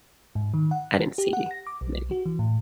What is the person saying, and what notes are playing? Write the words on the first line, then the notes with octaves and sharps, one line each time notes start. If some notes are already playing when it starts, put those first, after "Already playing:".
I didn't see many.
G#2
D#3
F#5
G4
F#5
A#6
D6
B1
F#4
E3
A2